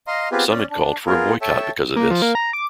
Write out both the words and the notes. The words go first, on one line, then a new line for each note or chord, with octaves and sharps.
Some had called for a boycott because of this.
D#5 F5 A#5 C6
B3 C4 F4 G4 G#4 B4
C#4 D5
D4
B3 F4 G#4 A#4
A4 C#5 E5 G5 A5
A#3
F3
A#3
A#5
D6